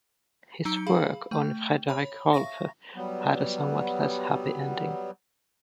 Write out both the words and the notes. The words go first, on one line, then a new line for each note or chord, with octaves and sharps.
His work on Frederick Rolfe had a somewhat less happy ending.
F#3 D#4 A#5 E6 D7 G7
G#4 F5 B5
A3 G5
C#5 B5
E5 F5 C#6 A#6
F#3 G3 B3